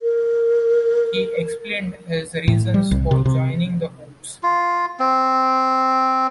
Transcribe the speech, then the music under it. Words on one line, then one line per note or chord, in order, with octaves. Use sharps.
He explained his reasons for joining the Hoops.
A#4
A2
G3
C2
C3
C3
F4
C4